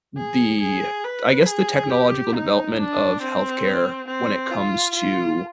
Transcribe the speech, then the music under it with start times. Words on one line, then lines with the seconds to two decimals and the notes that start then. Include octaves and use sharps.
the I guess, the technological development of health care when it comes to
0.17 G#4
0.60 G#4
1.04 B4
1.46 G#4
1.90 G4
2.34 D#4
2.77 D4
3.21 C4
4.07 C4
4.51 F4
4.94 F4